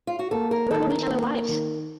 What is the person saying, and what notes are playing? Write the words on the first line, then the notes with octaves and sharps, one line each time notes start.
What would we tell our wives?
F4
F#4
A#3 A4
A#4
D#3 A4
A#4
A#3
D#3